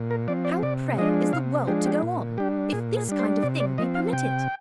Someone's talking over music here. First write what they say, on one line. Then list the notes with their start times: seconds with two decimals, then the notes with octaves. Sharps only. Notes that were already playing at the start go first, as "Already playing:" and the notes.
How, pray, is the world to go on, if this kind of thing be permitted!
Already playing: A#2
0.11 A#4
0.28 F3 C4 D5
0.45 D5
0.63 C3 D5
0.98 F3 G#3 D4 D#5
1.33 C3 F5
1.67 F3 G#3 D4 G4
1.86 G4
2.03 A#2
2.38 G3 D4 G4
2.72 A#2 G#4
2.97 G#4
3.08 G3 D4
3.19 C5
3.43 C3 D5
3.60 D5
3.78 F3 C4 D#5
3.95 F5
4.13 C3 G5